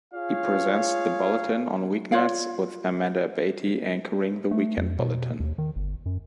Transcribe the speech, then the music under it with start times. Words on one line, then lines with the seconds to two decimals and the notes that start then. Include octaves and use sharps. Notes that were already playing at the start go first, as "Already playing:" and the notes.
He presents the bulletin on weeknights, with Amanda Abate anchoring the weekend bulletin.
0.14 F4 G#4 C#5 F5
2.12 F4 C#5 D5 F5
4.51 A3
4.78 F2
4.99 B2
5.40 D#2
5.58 D#3
5.76 G1
6.06 F#2